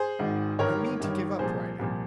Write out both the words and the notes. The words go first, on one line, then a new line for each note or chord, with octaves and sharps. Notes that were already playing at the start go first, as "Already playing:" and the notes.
I mean to give up riding.
Already playing: G#4 C5
G#1 G#2 D#3
G1 G2 D#3 A#4 C#5
G1 G2 D#3
C2 A#2 F3 G#4 C5
C2 A#2 F3